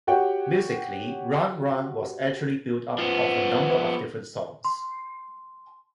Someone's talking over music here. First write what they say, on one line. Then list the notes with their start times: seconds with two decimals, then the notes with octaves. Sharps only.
Musically, "Round Round" was actually built up of a number of different songs.
0.07 F#4 G4 C#5 F#5 G5
2.98 F3 B3
4.65 C6